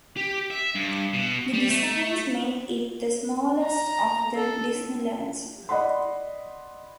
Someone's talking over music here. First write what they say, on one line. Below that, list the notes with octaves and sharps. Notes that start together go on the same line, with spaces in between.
The designs made it the smallest of the Disneylands.
G4
E5
G2
B2
G3
A3
A#5
A4
D5 D#5 F#5 B5 C6